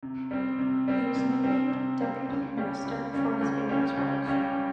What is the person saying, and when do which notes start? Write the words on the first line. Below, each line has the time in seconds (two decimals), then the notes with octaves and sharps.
He was nicknamed "Deputy Minister" for his various roles.
0.03 C3
0.31 G3 C4
0.59 C3
0.88 G3 C4
1.16 C3
1.44 G3 C4
1.72 C3
2.00 G3 C4
2.28 C#2
2.57 C#3 G3 C#4 G4
2.85 C#2
3.13 C#3 G3 C#4 G4
3.41 C#2
3.69 C#3 G3 C#4 G4
3.97 C#2
4.26 C#3 G3 C#4 G4